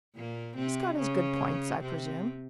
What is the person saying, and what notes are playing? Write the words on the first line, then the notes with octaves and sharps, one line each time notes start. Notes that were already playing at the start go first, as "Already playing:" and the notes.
"He's got his good points, I presume."
A#2 A#3
C3 C4
C#3 C#4
C3 C4